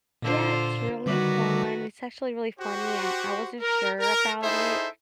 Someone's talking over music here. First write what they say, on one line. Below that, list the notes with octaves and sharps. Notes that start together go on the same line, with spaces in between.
Yeah, it's really fun, it's actually really funny. I I wasn't sure about it,
A#2 D3 F4 C5
D3 D#3 G3 F#4 B4 D6
F#4 G4 C5
A#4
A#4
D#4 E4 G#4 A4 C5 E5